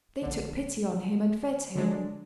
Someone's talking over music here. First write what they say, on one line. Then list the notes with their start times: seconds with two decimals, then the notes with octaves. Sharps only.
They took pity on him and fed him.
0.22 A#1 D3
1.75 D3 F#3 G#3 D4